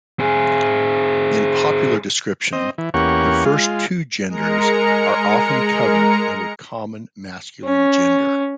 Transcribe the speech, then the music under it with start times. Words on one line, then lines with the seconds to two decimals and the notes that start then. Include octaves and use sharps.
In popular description, the first two genders are often covered under common masculine gender.
0.20 C4 G#4
2.53 C4 D#5
2.78 E3
2.94 E2 A#3 C#4 G4 F#5 C#6
3.45 G#3 F4
4.28 G#3 A#4 A#5 C#7
7.64 C#4